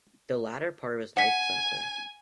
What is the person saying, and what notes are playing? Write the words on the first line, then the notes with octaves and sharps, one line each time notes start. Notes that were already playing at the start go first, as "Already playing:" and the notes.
The latter part of his life is unclear.
F#5 G#5 B6